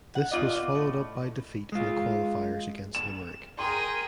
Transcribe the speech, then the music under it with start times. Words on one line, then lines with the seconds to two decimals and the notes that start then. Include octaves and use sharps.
This was followed up by defeat in the qualifiers against Limerick.
0.15 F#5
0.31 B2 F4 D5 D#5
0.75 A2
1.72 G#3 F4
2.95 E7
3.59 G#4 A#4 G5 C6 D#7